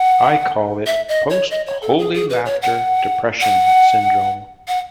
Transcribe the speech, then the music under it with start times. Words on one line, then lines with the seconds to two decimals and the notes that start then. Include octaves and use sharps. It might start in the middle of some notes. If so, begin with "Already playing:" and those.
I call it post-Holy Laughter depression syndrome.
Already playing: F#5
0.87 E5
1.08 D#5
1.30 C#5
1.51 D#5
1.66 C#5
1.82 A4
1.98 G#4
2.14 G#4
2.30 B4
2.45 C#5
2.62 F#5
3.41 F#5
4.68 F#5